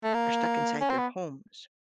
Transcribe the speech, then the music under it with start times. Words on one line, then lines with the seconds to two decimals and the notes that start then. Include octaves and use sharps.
are stuck inside their homes.
0.04 A3
0.14 A#3
0.81 C#4
0.90 C4
0.98 B3